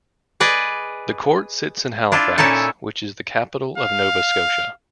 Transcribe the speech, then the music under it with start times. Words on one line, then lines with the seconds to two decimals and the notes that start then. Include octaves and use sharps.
The court sits in Halifax, which is the capital of Nova Scotia.
0.40 G#4 B4 D5 D#5
2.12 D4 E4 F4
2.38 A#2 C#4 D#4 E4 A4
3.78 F5